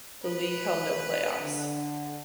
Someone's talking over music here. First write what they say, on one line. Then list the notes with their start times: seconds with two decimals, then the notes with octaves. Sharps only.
The league held no playoffs.
0.24 B4
1.41 D3